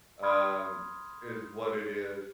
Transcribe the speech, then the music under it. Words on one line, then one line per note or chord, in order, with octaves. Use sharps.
Um, is what it is
B5 C6 D#6 F6 G#6